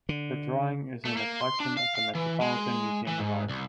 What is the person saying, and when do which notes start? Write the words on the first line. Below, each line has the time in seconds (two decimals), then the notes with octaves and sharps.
The drawing is in the collection of the Metropolitan Museum of Art.
0.09 D3
1.05 A3
1.17 A#3
1.41 C6
1.60 D4
1.77 F5
1.95 F5
2.15 E3
2.41 G#3
3.07 E3
3.19 G#2
3.50 C2